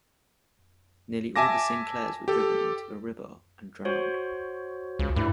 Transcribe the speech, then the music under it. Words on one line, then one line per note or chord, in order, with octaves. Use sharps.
Nearly all the Sinclairs were driven into the river and drowned.
E5 G#5 A5 D6 A#6
G4 A4
F#4 C5 C#5
C#2
G2 A3 E4